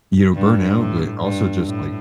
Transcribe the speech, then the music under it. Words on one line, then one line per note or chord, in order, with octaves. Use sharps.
You know, burnout, but, also just like
G2
A2
G2
A2